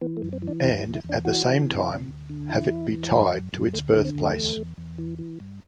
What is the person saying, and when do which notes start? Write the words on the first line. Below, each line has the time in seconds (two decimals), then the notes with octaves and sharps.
And, at the same time, have it be tied to its birthplace.
0.01 E3 B3
0.17 A3
0.22 F#2
0.33 C4
0.42 E3
0.47 D4
0.64 E2 E4
0.79 E4
0.85 E2
0.95 E4
1.04 E2 D4
1.25 E3 F#4
1.46 E3
1.67 C3
1.87 D2
2.08 D2
2.29 D3
2.49 E2 E4
2.70 E3
2.91 E2
3.11 F#2
3.33 F#2
3.53 F#2
3.73 D2 A3
3.89 B3
3.95 D3
4.05 C4
4.15 D2
4.21 A3
4.37 E2
4.57 E2
4.78 E2
4.98 E3
5.18 E3
5.40 G2